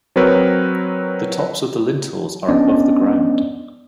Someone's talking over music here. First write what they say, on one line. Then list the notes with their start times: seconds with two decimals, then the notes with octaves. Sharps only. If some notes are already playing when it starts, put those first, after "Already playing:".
The tops of the lintels are above the ground.
0.16 F#3 C4 A#4 B4 C#5
2.49 B3 C#4 D4 D5 D#5